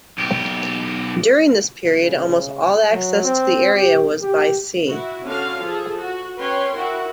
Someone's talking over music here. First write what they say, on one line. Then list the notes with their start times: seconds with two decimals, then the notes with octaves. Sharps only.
During this period almost all access to the area was by sea.
0.18 B1 G4
2.04 C#3
2.90 F#3
3.24 C4
3.74 G4
4.21 G4
4.88 E4 F#4
5.25 D3 C#4 F#4 F5
5.61 F3 G#4 A4
6.00 F#4
6.40 C#4 B4 C#5 G5 C6
6.75 E4 F#4 A#4